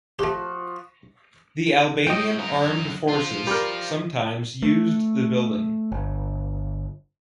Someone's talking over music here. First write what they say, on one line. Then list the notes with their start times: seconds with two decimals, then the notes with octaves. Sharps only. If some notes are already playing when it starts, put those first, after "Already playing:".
The Albanian Armed Forces sometimes used the building.
0.19 F3 A3 F#4 G4
2.07 A2 D#5 G5
2.38 F#3 A#4
3.09 F4 C5
3.47 G3 A#4
4.63 A3
5.92 G1